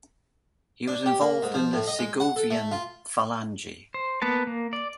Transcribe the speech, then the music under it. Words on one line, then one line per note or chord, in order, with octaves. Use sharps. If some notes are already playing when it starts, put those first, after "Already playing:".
He was involved in the Segovian Falange.
D4
G4
A#3
G#2
F3
A2
D#5
G#3
F#5
A4
A3
F4
C5
A#3 B3 B4 A5
A#3
D5